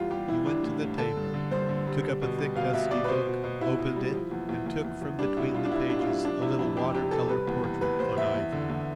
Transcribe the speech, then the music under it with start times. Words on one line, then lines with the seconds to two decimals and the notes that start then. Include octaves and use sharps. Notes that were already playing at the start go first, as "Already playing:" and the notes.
He went to the table, took up a thick dusty book, opened it and took from between the pages a little water-colour portrait on ivory.
Already playing: E2 G3 F4
0.11 G3 G4
0.28 E3 E4
0.46 E3 D4
0.63 A2
0.82 A2
0.98 D3 A4
1.17 G2
1.34 D3
1.51 G2 C5
1.68 D3
1.87 G3
2.03 G3
2.22 B2
2.38 G3
2.56 B2 F5
2.73 B2 E5
2.91 B2 D5
3.04 B4
3.08 B2 C5
3.27 B2
3.44 B2
3.61 B2 E4
3.79 B2
3.96 G3
4.13 F3
4.31 E2
4.49 E2
4.66 E2
4.85 E2
5.01 E2
5.19 G3 D4
5.37 B2 E4
5.54 G3 F4
5.65 D4
5.71 G3 E4
5.89 B2 D4
5.99 F4
6.06 G3 E4
6.24 F3 D4
6.42 C3 E4
6.59 F2 E4
6.77 F2 G4
6.94 C3 G4
7.11 C3 A4
7.29 G3 B4
7.47 E2
7.64 E2
7.81 E2 B4
7.99 E2 C5
8.17 E2 E5
8.34 E2
8.52 D3
8.70 E2